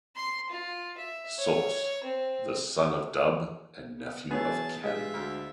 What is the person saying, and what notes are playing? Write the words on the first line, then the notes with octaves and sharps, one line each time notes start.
Source; the son of Dub and nephew of Ken.
C6
F4
E5
C#5
C4
B3
E3 F#3 B3 G#4 A5
G2 G#3 F4 E5
D2